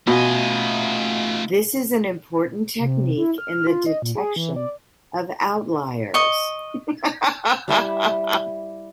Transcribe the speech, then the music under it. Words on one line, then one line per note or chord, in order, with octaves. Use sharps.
This is an important technique in the detection of outliers.
B2 A3 D#4 F4 G#5
C3
E4
F6
F6
F4
D#5
A#2
G#4
E3
D5
D#5 C#6
G3 E4 E5